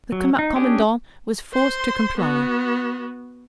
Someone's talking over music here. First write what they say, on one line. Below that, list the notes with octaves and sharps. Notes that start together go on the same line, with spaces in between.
The commandant was forced to comply.
F#3
D#4
C#4 D4 G4 G#4
C5 C6
B3 F#4